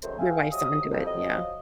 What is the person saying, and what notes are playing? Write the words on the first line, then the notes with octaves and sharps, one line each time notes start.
Your wife's onto it, yeah.
F#2 D#3 G#3 A3 C5
G#4 E5 F5 G5 G#5
C3 F#3 D#5 D#6
C2 F2
F3 F#3 F4 D#5